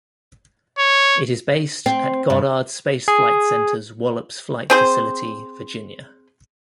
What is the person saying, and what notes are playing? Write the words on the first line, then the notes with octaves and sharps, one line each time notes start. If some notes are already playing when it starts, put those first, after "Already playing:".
It is based at Goddard Space Flight Center's Wallops Flight Facility, Virginia.
C#5
C4
G2
G#4
C4 G#4 C5